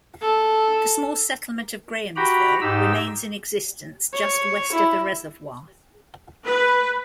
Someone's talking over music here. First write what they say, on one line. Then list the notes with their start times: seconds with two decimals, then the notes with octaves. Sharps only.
The small settlement of Grahamsville remains in existence just west of the reservoir.
0.22 A4
2.16 F#4 G4 G5 A#5 B5
2.61 G#2 D#4 G4 E6
4.13 C#5
4.72 E4
6.46 B4